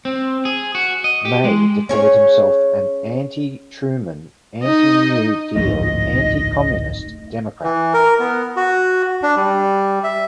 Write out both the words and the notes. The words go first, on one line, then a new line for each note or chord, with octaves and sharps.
May declared himself an anti-Truman, anti-New Deal, anti-communist Democrat.
C4
G#4
F#4
D#5
G4
G#3
C#4 G#4 C#5
D#4 D#5
D1 A#1 F2 G#2 A3 D#4 D#5
E3
A#4
B3
F#4
D4
G3
E5